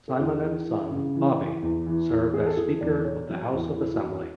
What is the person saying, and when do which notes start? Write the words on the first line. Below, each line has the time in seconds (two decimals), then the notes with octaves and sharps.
Symonette's son Bobby served as Speaker of the House of Assembly.
0.08 A4
0.20 E2 G#4
0.43 E3
0.67 E3
0.92 C#3
1.15 E3
1.38 E3
1.62 E2
1.86 E3
2.10 E2
2.34 E2 G#4
2.46 A4
2.57 E3 G#4
2.81 E2 D5
3.05 B2 C#5
3.29 F#3
3.53 E2
3.75 E2 E4
3.94 F#4
4.00 E2
4.11 F#4